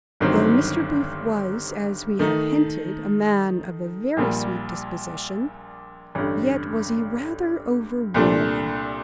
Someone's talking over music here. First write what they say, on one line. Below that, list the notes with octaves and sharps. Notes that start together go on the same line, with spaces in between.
Though Mr. Booth was, as we have hinted, a man of a very sweet disposition, yet was he rather overwarm.
G1 G2 D#3 F#3 C4
D#3 A3 D#4
A#1 A#2 G3 A#3
A1 G2 D3
C2 A#2 A3 D4